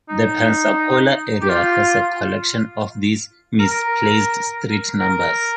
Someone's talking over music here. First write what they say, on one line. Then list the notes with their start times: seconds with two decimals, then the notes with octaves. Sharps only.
The Pensacola area has a collection of these "misplaced" street numbers.
0.09 D#4
1.42 G4
1.49 F4
3.60 A#4
5.00 A#4